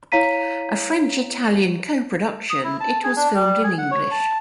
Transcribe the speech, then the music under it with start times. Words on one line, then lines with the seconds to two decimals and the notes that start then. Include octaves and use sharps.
A French-Italian co-production, it was filmed in English.
0.12 E4 C#5 F5 A#5 B6 D#7
2.50 D#6
2.64 E4
2.80 A5
3.04 G#4
3.16 D4
3.34 G3
3.63 G#4
3.78 F#5
3.91 C#5
4.11 A5